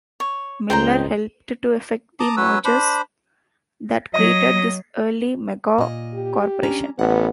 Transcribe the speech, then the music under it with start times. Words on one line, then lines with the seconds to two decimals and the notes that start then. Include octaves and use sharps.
Miller helped to effect the mergers that created this early mega-corporation.
0.20 C#5
0.70 C#2 C5 D#5 G5 A#5
2.20 A5 A#5 D6 D#6
2.37 F#3 C#4 B4 E6
2.65 D4 C5 B5
4.14 F#3 D#5
5.78 A#2 D#5
6.14 G4
6.63 C#4 D4 A#5
6.99 A1 B3 F#5